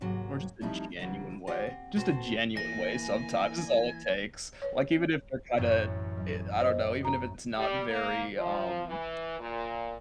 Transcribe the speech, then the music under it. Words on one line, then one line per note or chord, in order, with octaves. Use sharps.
Or just a genuine way, just a genuine way sometimes is all it takes, like, even if they're kinda, i I don't know, even if it's not very, um,
D#2 G#2 C3 F#3
F3 G3 A3 C4 D#4 E4
D2 C#3 E3 F#3
F4 G4 D#5 F5 F#5 G#5
C4
B2 C4 F#4 A4 C5
E3 A#3 G#5 A#6
B4 C#5
A1 F#2
F#3
C5 D#5
F#4 A#5
G3
A#3
F3
E3
A#2